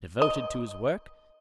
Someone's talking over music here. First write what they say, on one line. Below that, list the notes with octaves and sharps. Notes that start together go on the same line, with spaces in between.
Devoted to his work.
D#5